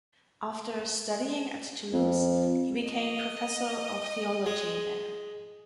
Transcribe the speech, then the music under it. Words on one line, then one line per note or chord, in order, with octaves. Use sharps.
After studying at Toulouse, he became professor of theology there.
F2
D#5
G#3